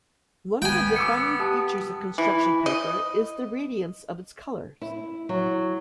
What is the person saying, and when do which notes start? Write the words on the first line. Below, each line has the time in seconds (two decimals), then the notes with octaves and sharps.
One of the defining features of construction paper is the radiance of its colours.
0.62 B3 G5 G#5
0.96 D6 E6 C#7
1.39 G4 A5 D#6
2.18 E3
2.66 D#5
4.81 E4
5.29 F#3